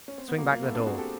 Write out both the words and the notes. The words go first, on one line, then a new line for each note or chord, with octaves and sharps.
Swing back the door.
C#4
C4
B3
A#2 F#3 A#3
A#3
A3 B3
C4 D4
F#4 G#4
G4 A4